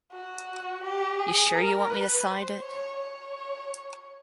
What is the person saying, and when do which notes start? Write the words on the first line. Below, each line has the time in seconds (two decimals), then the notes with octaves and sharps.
You sure you want me to sign it?
0.12 F#4
0.83 G4
1.19 G#4
1.55 A#4
1.90 B4
2.26 C5
2.62 C#5
2.97 C#5